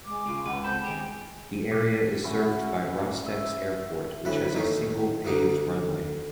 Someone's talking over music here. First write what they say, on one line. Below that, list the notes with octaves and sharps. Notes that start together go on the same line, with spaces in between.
The area is served by Rostex Airport, which has a single paved runway.
G#3 D6
C#3 F4
C#2 B4 F#5
C4 A4 B5 G6
G2 D#3 G#3 G4 G5
A#2
C#4 E4 F#4
E5
D2 A2 E3 B4
A1 D#2 D#3 A3 C#4
D2 D3 D#4 F5